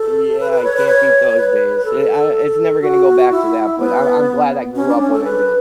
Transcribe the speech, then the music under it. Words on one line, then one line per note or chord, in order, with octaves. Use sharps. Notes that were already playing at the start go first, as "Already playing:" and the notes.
Yeah, you can't beat those days, i i it's never gonna go back to that, but I'm I'm glad I grew up when I did.
Already playing: A4
B4
B4
C#5
B4
C#5
B4
A4
F#4
E4
B3
C#4
D4
C#4
A4
B4